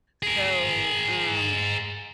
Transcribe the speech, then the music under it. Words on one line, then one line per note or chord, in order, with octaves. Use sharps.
So, um,
G#4 A#4